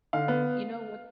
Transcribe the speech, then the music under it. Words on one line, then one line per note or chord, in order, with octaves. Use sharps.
You know what
D3 F5
B3